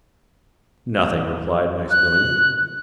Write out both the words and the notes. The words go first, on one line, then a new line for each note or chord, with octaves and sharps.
"Nothing," replied Maximilian.
F#6